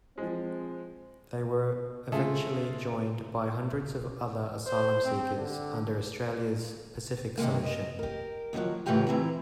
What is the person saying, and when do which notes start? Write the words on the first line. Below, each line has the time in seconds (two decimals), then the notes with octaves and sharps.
They were eventually joined by hundreds of other asylum seekers, under Australia's "Pacific Solution".
0.18 F3 G#3 C4
2.12 C#3 G#3 A3 F4 G#4
4.66 C5
5.04 C4
5.36 D3
7.38 C3 D#3 G#3 A#3
7.64 D#5
7.99 G4 A#4
8.53 D#2 B2 D#3 F3 F#3
8.86 A2 C#3 E3 F4 G4 A#5
9.07 E3 C4 E4 A#5